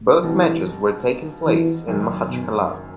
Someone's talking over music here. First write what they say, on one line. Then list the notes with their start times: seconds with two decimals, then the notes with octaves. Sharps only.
Both matches were taken place in Makhachkala.
0.23 C#2 B2 E3 G3 C4 D#4
1.47 E3
1.88 F#1 F#2 D#3
2.29 B2